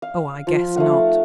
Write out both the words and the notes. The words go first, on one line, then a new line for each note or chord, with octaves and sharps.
Oh, I guess not.
F5
F3
A3 D#4 F5 F#5